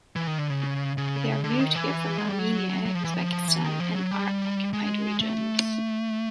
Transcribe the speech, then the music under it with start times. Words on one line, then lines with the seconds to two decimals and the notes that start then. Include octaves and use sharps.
They are moved here from Armenia, Uzbekistan and our occupied regions.
0.16 E3
0.27 D#3
0.39 D3
0.50 C#3
0.98 C#3
1.44 D3
1.60 D#3
1.75 E3
2.18 G#3
2.28 G3
2.39 F#3
2.86 F#3
2.95 F3
3.04 E3
3.14 F3
3.32 F3
3.48 E3
3.64 D#3
3.80 F3
3.96 F#3
4.11 G3
4.73 G#3
5.21 A3